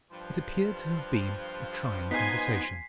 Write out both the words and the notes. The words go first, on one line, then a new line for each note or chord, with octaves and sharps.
It appeared to have been a trying conversation.
G2 F3
B3 D#4 G#5 C6 B6 C7